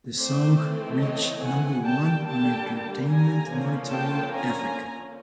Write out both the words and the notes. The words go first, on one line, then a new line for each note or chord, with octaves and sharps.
The song reached number one on Entertainment Monitoring Africa.
E3 A3 C4 C5 D5
C#5 D#5
F#5 G#5
D3 G3 A#3 G5 A5
G5 A5
G#5 A#5
D3 F3 A#3 C#4
G5 A5
G#5 A#5